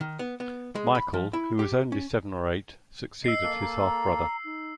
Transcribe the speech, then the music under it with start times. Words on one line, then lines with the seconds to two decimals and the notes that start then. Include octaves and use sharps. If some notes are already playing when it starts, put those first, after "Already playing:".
Michael, who was only seven or eight, succeeded his half-brother.
0.01 D#3
0.19 B3
0.40 B3
0.75 G#3
0.95 B5
1.14 F3
1.33 E4
1.59 G4
1.92 C#4
3.24 D#5 E6 C7
3.43 A#3 A4
3.61 A#5
3.79 A#5
4.45 D#4